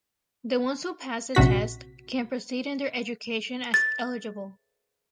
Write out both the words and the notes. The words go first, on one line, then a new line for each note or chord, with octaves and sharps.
The ones who pass the test, can proceed in their education as eligible.
A#1 C3 F#4 B6
A6